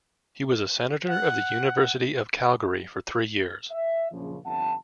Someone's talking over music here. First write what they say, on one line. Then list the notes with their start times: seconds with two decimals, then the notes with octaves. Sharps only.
He was a Senator of the University of Calgary for three years.
1.07 F#5
3.71 E5
4.11 A#1 F#2 C#3 F3
4.45 G1 F2 C#4 E5 F#5 A5